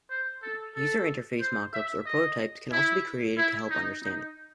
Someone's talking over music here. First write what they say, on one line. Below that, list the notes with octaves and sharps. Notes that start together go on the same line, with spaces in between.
User-interface mockups or prototypes can also be created to help understanding.
C5
A4
A4
C5
E5
D#5
E4
E4
D#4
D#4